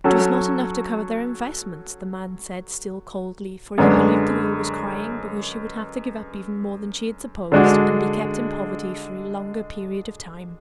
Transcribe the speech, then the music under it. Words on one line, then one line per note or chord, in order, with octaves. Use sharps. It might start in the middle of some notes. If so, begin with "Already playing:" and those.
"It was not enough to cover their investments," the man said, still coldly, for he believed the girl was crying because she would have to give up even more than she had supposed, and be kept in poverty for a longer period of time.
F#3 C#4 F#4 A4
F#2 D3 G#3 B3 D4
D3 G#3 D4 F#4